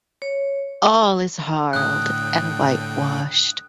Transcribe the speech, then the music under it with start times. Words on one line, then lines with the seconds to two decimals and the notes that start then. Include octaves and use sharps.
All is harled and whitewashed.
0.22 C#5
1.73 A2 D3 G5 D#6 F#6